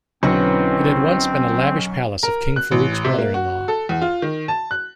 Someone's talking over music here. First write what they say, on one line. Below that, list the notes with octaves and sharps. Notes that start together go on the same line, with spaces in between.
It had once been a lavish palace of King Farouk's brother-in-law.
B1 D3 C4 C#4 E4 F#4 B4
A#4
F#6
A1
C3
A#3
F#4
A4
E2
F4
D#3
A5
F#6